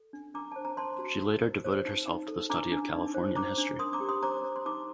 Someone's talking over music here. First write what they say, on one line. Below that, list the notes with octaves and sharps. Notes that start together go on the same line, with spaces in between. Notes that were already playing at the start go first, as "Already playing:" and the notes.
She later devoted herself to the study of Californian history.
Already playing: A4
D4
D4 A#5 D6
C5 A5
A#5
C5 A5 C6
F#4
F#4
A#4
C5
D#4
D#4
A4
D4 A#5 D6
D4
D#4
C5
C5 A#5 D6
D4
A#4 C6 D#6
A#5 D6
G4
C6 D#6
C5 A#5 D6
C5
C6
D#4 A#5 D6